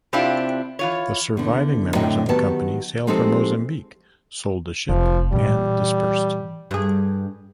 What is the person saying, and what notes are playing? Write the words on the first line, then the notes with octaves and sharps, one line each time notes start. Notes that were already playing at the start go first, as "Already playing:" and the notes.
The surviving members of the company sailed for Mozambique, sold the ship and dispersed.
C3 C4 D4 E4 F4 G4
E3 F4 C#5
E2 D3
A2 D3 F#3 C4 D#5 G5
D#3 F#3 B3 G4 A5
F3 G#3 C4 D#4 G4 A4
F1 F3
A#2 E3 G3
G2 G#4